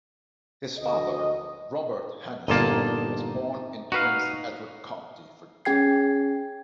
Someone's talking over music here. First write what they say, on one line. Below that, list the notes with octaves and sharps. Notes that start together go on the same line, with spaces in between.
His father, Robert Hanna Senior was born in Prince Edward County, Virginia.
D2 D#5
G1 A#2 A#3 D#4 A5
D#4 F#4 B4 F5
C#4 G#4 G5 G#6 C7